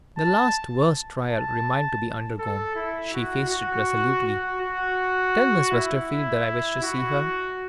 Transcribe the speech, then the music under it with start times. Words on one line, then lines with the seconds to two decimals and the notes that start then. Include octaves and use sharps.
The last worst trial remained to be undergone; she faced it resolutely. "Tell Miss Westerfield that I wish to see her."
0.18 A5
1.29 A5
2.39 A4
2.76 E4
3.13 F#4
3.50 F#4
4.25 F#4
4.61 F#4
5.72 E4
6.83 F#4